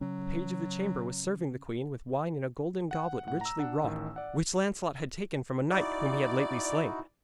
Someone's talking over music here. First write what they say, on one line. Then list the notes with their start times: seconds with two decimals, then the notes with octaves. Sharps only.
The page of the chamber was serving the queen with wine in a golden goblet richly wrought, which Lancelot had taken from a knight whom he had lately slain.
0.01 C#3 F#3 C#4
2.91 F#5
3.27 A2 F#5
3.41 A#5 E6
3.59 D4 F#5
3.84 A1 D#3
4.16 D5 F#5
5.71 D#4 E4 F#4 D5